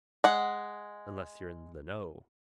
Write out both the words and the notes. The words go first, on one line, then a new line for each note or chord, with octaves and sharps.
Unless you're in the know.
G#3 F#5